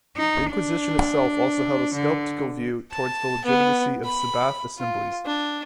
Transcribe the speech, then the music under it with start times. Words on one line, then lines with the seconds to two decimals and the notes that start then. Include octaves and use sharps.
The Inquisition itself also held a skeptical view toward the legitimacy of Sabbath Assemblies.
0.16 D#4
0.51 D4
1.94 D3
2.91 A5
3.45 B3
4.05 B5
4.78 F4
5.26 D4